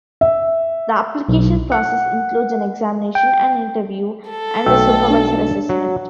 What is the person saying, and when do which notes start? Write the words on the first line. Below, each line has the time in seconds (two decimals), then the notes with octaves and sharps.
The application process includes an examination, an interview, and a supervisor assessment.
0.21 E5
1.29 B1
1.72 F#5
3.15 G5
4.29 A4
4.66 B1 A3 G5 E6
5.10 D4
5.69 F#3